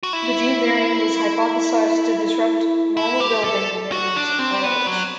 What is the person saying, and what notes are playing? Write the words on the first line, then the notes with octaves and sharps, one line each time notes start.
The gene variant was hypothesized to disrupt normal building and maintenance of cartilage.
F#4
E4
E4
G4
A4
F#4
D4
C4
B3
F#3